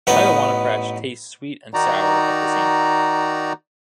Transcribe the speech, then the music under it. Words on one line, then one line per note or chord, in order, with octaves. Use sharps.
Chyawanaprash tastes sweet and sour at the same time.
A1 B3 D#4 B4
D#3 D#4 F#4 D5 A#5